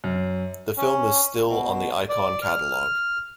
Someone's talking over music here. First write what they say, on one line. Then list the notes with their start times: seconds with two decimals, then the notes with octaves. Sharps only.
The film is still on the Icon Catalogue.
0.04 F#2
0.77 C#4
1.49 B2
2.09 D5
2.42 F6